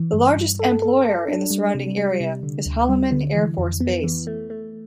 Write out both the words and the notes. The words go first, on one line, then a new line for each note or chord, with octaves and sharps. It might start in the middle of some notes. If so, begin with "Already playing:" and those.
The largest employer in the surrounding area is Holloman Air Force Base.
Already playing: E3
G2
G2
A4
A4
A4
D4
G3
C3
G3
C3
D3
D2
G3
D3
E3
F2
B3
E3
A3
A3